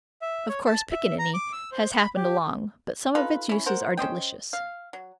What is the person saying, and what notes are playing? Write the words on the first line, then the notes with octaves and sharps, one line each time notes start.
Of course, pickaninny has happened along, but some of its uses are delicious.
E5
C#5
A5
E5
A#5
D6
E6
C5
B5
G4
D#4 F4 A4 B4
C#4 E4
A#4 C5 F#5
C#4 C5 D#5 G5
F5
F#3